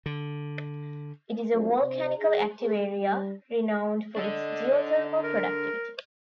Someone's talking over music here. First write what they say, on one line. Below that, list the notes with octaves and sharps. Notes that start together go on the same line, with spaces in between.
It is a volcanically active area, renowned for its geothermal productivity.
D3
F2 F#3 G3 C4 D4 F4
C3 C5
G#4
G#4
G3
D4 A4 D#5
A#4